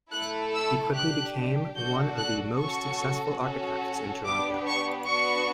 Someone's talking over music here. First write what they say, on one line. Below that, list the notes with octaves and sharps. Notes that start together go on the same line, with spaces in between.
He quickly became one of the most successful architects in Toronto.
A3 E4 A4 F#6
E6
D4 G4 F#6
D4 F#4 A4 G6
F#6
C#4 F#4 A4 C#6
C#4 F#4 A4
B3 D4 G4 D6
C#6
B3 D4 F#4 C#6